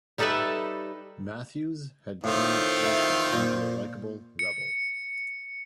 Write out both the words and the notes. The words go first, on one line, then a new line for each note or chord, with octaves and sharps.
Matthews had turned Castro into a likable rebel.
G3 D#4 A4 B4 D5 E5
A2 D#3 C4 F4
E4
A#2 C5
C#7